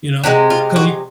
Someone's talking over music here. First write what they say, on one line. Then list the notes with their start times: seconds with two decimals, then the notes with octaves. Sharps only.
You know? 'Cause you
0.24 C3 F3 G#3 F#4
0.50 F4
0.76 F#4